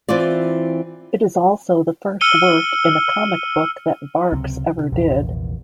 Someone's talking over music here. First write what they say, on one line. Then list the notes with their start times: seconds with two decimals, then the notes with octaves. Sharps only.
It is also the first work in a comic book that Barks ever did.
0.09 E3 C4 E4 F4 D5
2.21 E6 F6 C#7 D#7 G7
4.32 C#2 C3 F#3 C4
4.78 C3
4.92 A#1 E2 C3